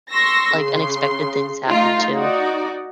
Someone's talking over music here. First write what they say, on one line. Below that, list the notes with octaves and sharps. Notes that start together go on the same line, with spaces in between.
like, unexpected things happen, too.
C6 C#6 E6 A#6
C#3 C6
A3 D#4 F4
D#4 F#4 D5